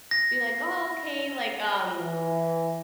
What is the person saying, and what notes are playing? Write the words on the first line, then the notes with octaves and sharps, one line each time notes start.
be like, "Oh, okay," like, um
A#6
E3